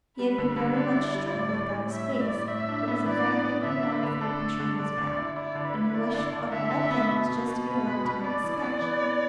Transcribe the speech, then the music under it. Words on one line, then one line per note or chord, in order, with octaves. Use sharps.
He had been very much struck with Guy's face: it was exactly what he wanted for a picture he was about, and he wished of all things just to be allowed to make a sketch.'
G3 B4
D3
D3
D3 D5
E4
G3
A2
A3
A2
A2 E5
A2
D5
A2
A2 E5
D4
B3
E3 D5
B3
B3
D3 E5
D4
B4
D3
D4 A4
A3
D3
D3 D5
D3
E4
E4 D5
D3
B4
E4
E4 D5
D3
D3
D3 E5
D3
E5
B3
B2
B2
B2
B2 B4
B2
B2
B3 D5
E3
B3
E3
B3